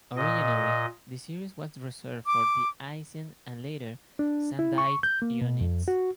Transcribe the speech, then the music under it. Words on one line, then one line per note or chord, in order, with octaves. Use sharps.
Originally the series was reserved for de-icing and, later, sandite units.
A#2 D#5
D6
D4
E4
C#6
G6
A#3
B2
F2
F#4